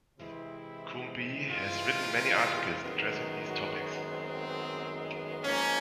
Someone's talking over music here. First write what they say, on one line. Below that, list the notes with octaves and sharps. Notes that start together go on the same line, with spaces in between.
Coombe has written many articles addressing these topics.
C3 E3 G#3 C4 E4
F4
F#2 D#3 G#3 B3
F#4
C4
G#2 F3 A#3 C#4